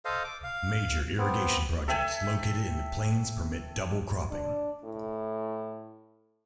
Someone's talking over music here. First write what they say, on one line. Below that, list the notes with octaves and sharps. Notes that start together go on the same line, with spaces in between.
Major irrigation projects located in the plains permit double-cropping.
A4 C5 D#5 F5
D6
F5
B3 C4
A4 E5 G5 G#5
D4
A2